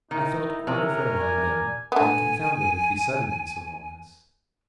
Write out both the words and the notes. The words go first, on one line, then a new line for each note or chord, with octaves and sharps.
I felt quite afraid of Madame, and confounded at the suddenness of all this.
D#3 D#4 E4
C3 C#4 A#4
D5 G#5
D3 B3 G#5